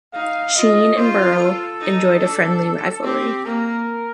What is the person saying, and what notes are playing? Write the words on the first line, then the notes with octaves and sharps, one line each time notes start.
Sheen and Berle enjoyed a friendly rivalry.
D#4 F5
F4 D#5
F4 C5
A4
D#4
D4
C4 G4
A#3 A#4